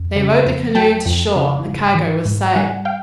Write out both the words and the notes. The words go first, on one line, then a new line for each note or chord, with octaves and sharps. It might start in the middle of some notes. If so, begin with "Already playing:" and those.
They rowed the canoe to shore and the cargo was saved.
Already playing: F2
C#3
F2
F#3 G5 A5
F2
C#3
G#2
E3
G#2
G3 F#5 G#5
F5 G5